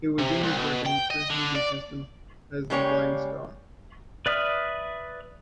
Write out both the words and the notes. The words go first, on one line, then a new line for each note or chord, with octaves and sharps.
It was in this record he christened the system as the "Flying Star".
C3
C2
B2
G5
D#5
D3
D5
C#3 G3 G#3 A#3 C#5 G5
B4 D5 E5 D#6 F6